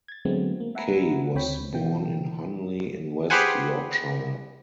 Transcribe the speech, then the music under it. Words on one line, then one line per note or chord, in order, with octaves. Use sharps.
Kaye was born in Honley in West Yorkshire.
G#6 A6
D3 F#3 G#3 A3 B3 C4
A#3
E5 F#5 G#5 A#5 B5
D2 C4 C#5 G5 B5
B2 E3 G5
G4 G#4 B4 C5 F#5 G#5